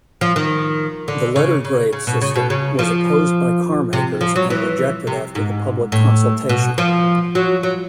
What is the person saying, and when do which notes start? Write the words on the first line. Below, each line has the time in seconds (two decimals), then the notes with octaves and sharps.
The letter grade system was opposed by carmakers and rejected after the public consultation.
0.21 F3
0.36 D#3
1.08 D3
1.36 C#3
1.65 C#3
1.93 C#3
2.07 B2
2.21 C#3
2.36 B2
2.50 C#3
2.79 F3
3.93 C3
4.21 F3
4.36 F#3
4.50 E3
5.07 C3
5.35 G#2
5.92 A2
6.49 B2
6.78 F3
7.35 F#3
7.63 F#3